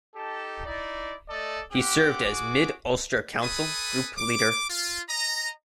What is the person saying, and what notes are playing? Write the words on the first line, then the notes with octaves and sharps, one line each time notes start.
He served as Mid Ulster Council Group Leader.
D#4 G4 A4 A5
D#4 E4 D5
A3 A4 D5 D#5
C4 G4 F#5 D6
F#4 G#4 D6
A4 B4 G#5 B5 D#6
D6
F4
D#5 A#5